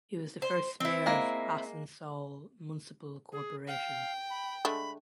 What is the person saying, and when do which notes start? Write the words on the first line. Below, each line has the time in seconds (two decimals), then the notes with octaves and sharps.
He was the first Mayor of Asansol Municipal Corporation.
0.42 C5
0.80 C4 E4
1.06 G#3 A#3
3.32 G#4
3.67 F5 G5
4.30 B5
4.65 D3 G#3 A3 B5